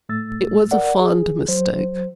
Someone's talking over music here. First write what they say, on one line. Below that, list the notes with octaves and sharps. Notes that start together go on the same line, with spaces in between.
It was a fond mistake.
A2 A3 E6 A6
A#4 D5 F#5
G#4
F#3 C5